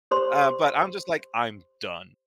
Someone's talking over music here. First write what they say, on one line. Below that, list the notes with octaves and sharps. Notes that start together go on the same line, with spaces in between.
Uh, but I'm just like, "I'm done,"
G4 C5 C6